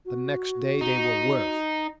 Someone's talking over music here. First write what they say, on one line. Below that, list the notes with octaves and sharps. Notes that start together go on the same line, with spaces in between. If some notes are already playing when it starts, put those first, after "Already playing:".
The next day they were worse.
F#4
D#4